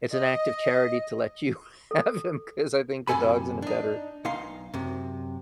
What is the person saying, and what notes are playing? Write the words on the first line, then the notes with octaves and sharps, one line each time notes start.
it's an act of charity to let you have him 'cause I think the dog's in a better
D#5
A4
F#2 C3 E3 A4 G#5 B5
D4 D#4
B1 D#4 F5 C6
F#2 C3